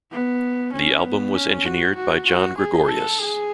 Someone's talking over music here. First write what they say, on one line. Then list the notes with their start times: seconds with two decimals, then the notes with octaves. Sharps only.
The album was engineered by John Gregorius.
0.11 B3
0.73 C#4
1.04 B3
1.34 C#4
1.65 F#4
1.96 F#4
2.27 F#4
2.57 G#4
2.88 A4
3.19 G#4